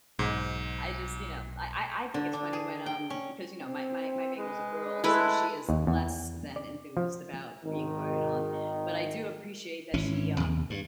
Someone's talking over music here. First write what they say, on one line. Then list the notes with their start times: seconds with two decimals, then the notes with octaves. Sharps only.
I just, you know, I I I think it's funny when, um 'cause, you know, my my my Bengal's a girl, so she is less than enthused about being farted on, but I do appreciate that she, um,
0.19 B1 G#2
2.14 D3
2.33 D4
2.53 G#4
2.86 G5
3.10 C#4
3.58 C4
4.36 G#3 B4
5.04 G#3 A3 E4 A4 B4
5.69 D#2
5.87 E2
6.56 D5
6.97 F3
7.64 G#1 D#3
9.94 G#1 E3 C#4
10.40 D#2
10.70 G2